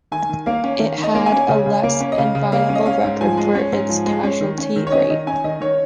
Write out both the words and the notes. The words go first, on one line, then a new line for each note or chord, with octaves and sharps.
It had a less enviable record for its casualty rate.
D#3 G#5
D#3
A#3 F5
C#4
D#3
D#3
D#5
A#3
G#5
C#4
C#3
C#3
A#3
C#4
D#5
C#3 F5
C#3
A#3 F5
C#4
D#5
C#4 F5
G#2
F3 G#5
G#3
C#4
G#2
F3
G#3
C#4
D#3
C#4
D#3
C#5
C#4 D#5
D#3 D#5
C#4 G#5
D#3 D#5
D#3 C#5